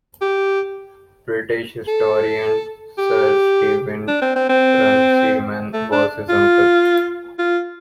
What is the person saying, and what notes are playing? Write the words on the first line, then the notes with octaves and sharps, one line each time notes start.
British historian Sir Steven Runciman was his uncle.
G4
A4
G4
D4
C4
C4
C4
A3
D4
F4
F4